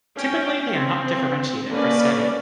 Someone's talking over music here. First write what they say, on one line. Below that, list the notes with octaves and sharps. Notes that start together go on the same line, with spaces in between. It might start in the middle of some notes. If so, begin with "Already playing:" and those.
Typically they are not differentiated for study.
C#4 G5
C4
D3 A#3 C#4 B4 D5